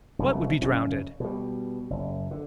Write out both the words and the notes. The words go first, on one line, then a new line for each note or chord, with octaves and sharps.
"What would be drownded?"
E1 C2 C#3 F#3
F#1 C#3 C#4
B2 G3
F#1
D3